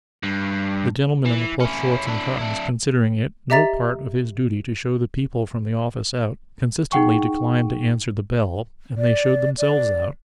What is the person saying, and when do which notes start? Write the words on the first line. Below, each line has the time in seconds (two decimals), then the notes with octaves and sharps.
The gentleman in the plush shorts and cottons considering it no part of his duty to show the people from the office out, consistently declined to answer the bell, and they showed themselves out.
0.23 G2
1.26 E3
1.60 C#4 E4
2.07 D4 E4
2.38 D4 E4
3.50 G4 D#5 E5 A#5 A6 B6
6.92 D#4 G#4 F#5 G5 C#6
8.98 D5
9.58 D5